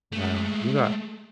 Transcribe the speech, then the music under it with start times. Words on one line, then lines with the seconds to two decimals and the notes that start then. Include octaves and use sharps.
Wow. You got
0.13 G#3 A3